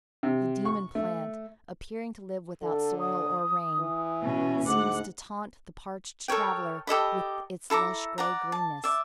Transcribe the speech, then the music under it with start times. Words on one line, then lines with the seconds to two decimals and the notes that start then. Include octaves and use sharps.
The demon plant, appearing to live without soil or rain, seems to taunt the parched traveller with its lush grey greenness.
0.23 C3
0.65 C#6
0.95 A3
2.62 D3 A4
2.99 D#6
3.79 E3
4.23 B2 C#4
4.67 D2 G#2 F#5 D6
6.28 A4 A#4 C#5 G5
6.87 G4 A4 D#5 B5
7.70 E4 A4 A#5 D6
8.18 D5 F#5 A#5
8.52 A5
8.84 D5 E5